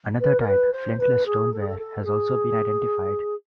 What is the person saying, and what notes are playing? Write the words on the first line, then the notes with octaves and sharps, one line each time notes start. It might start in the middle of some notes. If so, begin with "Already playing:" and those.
Another type, Flintless Stoneware, has also been identified.
B4
A#4
B4
C5
B4
G#4
A4
G#4
A4
A4
G#4